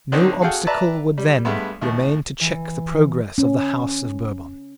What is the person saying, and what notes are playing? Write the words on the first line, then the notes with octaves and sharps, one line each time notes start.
No obstacle would then remain to check the progress of the House of Bourbon.
D3 D#3 C4 C#4 D#4 C5
F#4 G#4 A4 F5 G5
B4 D5 E5 A5 A#5
G3
G2 G#3 A3 B3
D#2 A2
E3
C#4